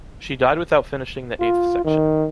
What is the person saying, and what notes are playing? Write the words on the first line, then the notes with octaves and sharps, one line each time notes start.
She died without finishing the eighth section.
F4
D#3